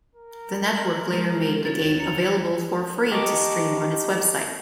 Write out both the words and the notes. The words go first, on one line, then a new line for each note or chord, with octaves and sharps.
The network later made the game available for free to stream on its website.
A#4
F#7
G#3
E4 F#4 C#5 A6
A#5 C#7 F7
G4 D#5 A5 A#5 C#6 D6